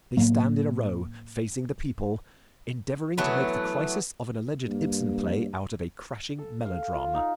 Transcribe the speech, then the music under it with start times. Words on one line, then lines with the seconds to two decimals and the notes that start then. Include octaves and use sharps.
They stand in a row, facing the people, endeavoring to make the crisis of an alleged Ibsen play out of a crashing melodrama.
0.17 A2 F#3 A#3 B3
3.18 E3 F#3 A3 B3
4.66 G2 A#3
6.38 A4
6.65 F5
6.95 F4
7.14 D#4